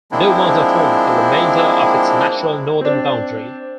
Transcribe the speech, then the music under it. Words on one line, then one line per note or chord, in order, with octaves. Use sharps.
Blue Mountain forms the remainder of its natural northern boundary.
F3 G#3 A#3 C4 D4 E4
C4 D4